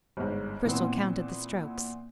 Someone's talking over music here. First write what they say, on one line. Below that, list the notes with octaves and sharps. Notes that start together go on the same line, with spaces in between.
Cristel counted the strokes.
G1 G#2
A#2 E3 B3 C4